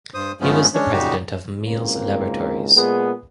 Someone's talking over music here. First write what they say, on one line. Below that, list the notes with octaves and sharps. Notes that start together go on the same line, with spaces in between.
He was the president of Miles Laboratories.
G2 C5 D#6
G2 F3 G#3 A3 B3 C#4
G#3 C#4 D4 C#5
A#2 C#3 D#4 F#4 G4
G#1 C#2 A#3 C4
A#2 G#3 B3 G#4